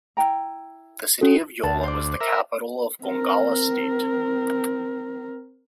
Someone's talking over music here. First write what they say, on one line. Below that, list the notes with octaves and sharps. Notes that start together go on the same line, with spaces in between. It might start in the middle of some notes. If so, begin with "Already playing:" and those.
The city of Yola was the capital of Gongola State.
E4 G5 A#5
C#4 F#4 A4
D2 A5
C5 D5
A#4 E5
C4 A#4